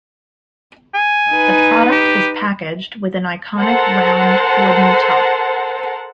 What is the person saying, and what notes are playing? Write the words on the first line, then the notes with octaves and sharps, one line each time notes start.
The product is packaged with an iconic round wooden top.
G#5
D#4 B4
G4
A4 A#4 C5 F#5 A5